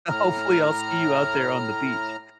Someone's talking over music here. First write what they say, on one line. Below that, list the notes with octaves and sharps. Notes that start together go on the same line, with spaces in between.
Hopefully, I'll see you out there on the beach.
A2 A#5 F6